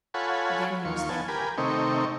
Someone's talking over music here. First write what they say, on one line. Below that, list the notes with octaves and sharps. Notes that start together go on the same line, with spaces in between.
Again he was thankful.
F4 A4 C#5 F#5 G#5 B5
D#2 F4 C#6
B3 G#5 A5
G4 A#4 G#5 B5
C3 D#3 A3 C4 D#4 C#6